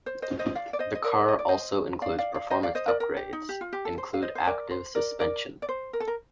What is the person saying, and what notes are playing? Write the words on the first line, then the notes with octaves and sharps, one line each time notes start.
The car also includes performance upgrades include active suspension.
C5
C5 D#5
C5 D#5
D5 F5
D5
C5 D#5
D#5
A#4 D5
D#5
D5
C5 D#5
D5 F5
D5 F5
D5 F5
C5 D#5
D5 F5
C5 D#5
A#4 D5
A#4
G4
D#4
G4
F4
G4
A4
C5
F5
C5 D#5
C5
A#4 D5
C5
A#4 D5
A#4 D5
D5
C5
A#4
A4
A#4